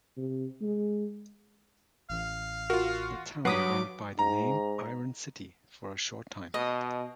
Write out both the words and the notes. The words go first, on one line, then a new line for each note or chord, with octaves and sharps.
The town went by the name "Iron City" for a short time.
C3
G#3
A1 F5
F4 F#4 A#4
G2 F#3 B4 F#5 D6 D#6 B6 C7
G#2 A#5
B2 D#5